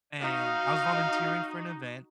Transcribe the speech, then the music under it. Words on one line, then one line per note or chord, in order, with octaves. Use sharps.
and I was volunteering for an event,
D#4 F#4 F5